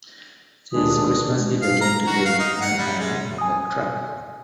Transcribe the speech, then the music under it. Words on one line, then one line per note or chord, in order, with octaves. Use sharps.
'Tis Christmas Eve again to day, and I am on the track.
D#2 G#3 D4 D#6
F5
A#5
F#4
F5
D#4
F#5
G3
G#3
G#5 D#6